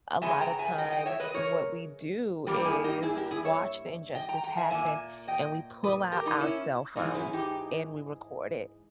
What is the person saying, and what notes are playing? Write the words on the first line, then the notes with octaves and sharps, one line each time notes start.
a lotta times what we do is watch the injustice happen, and we pull out our cell phones, and we record it,
C#3 G#3 B3 E5 G#5
G5 A#5
E5 G#5
D#5 G5
D#5 G5
C#5 E5
B4 D#5
A#4 C#5
G2 G3 A#3 G4 A#4
E4 G#4
D#4 G4
E4 G#4
G4 A#4
E4 G#4
C#5 E5
D#5 G5
G5 A#5
G5 A#5
E5 G#5
A#2 A#3 E5 G#5
D#5 G5
B4 D#5
G4 A#4
D#4 G4
C#4 E4
G#2 E3 G#3 D#4
C#4 E4
D#4 G4